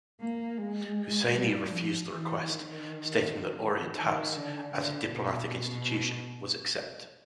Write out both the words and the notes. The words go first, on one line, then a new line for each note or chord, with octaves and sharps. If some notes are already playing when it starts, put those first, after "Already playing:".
Husseini refused the request, stating that Orient House, as a diplomatic institution, was exempt.
A#3
G#3
G3
F3
E3
D#3
D#3
D3
D3
B2
B2